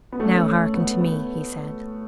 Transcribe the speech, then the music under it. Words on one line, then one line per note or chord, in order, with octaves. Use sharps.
"Now, hearken to me," he said.
B3
A3 C#4
B3
B3